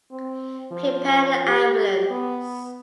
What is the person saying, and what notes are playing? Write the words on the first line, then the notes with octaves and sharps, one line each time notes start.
Prepare an ambulance.
C4
F3
G4
B3